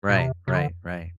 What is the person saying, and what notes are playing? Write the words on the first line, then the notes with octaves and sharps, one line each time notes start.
Right, right, right.
A#2
C3
C3
D3